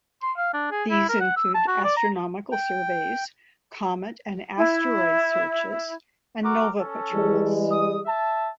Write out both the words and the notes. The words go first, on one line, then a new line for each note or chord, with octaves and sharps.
These include astronomical surveys, comet and asteroid searches, and nova patrols.
C6
F5
D4
G#4
E4
A#4
F#5
E6
A5
F#4
D5
A#5
G5
E4
F#4 A#4 D6
C#4 A4
E3 G3 G#3
D#6
E5 A5